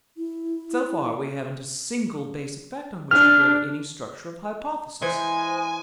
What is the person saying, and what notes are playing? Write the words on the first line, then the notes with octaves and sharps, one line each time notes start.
So far we haven't a single basic fact on which to build any structure of hypothesis.
E4
D4 F6
E3 G#3 C5 G#5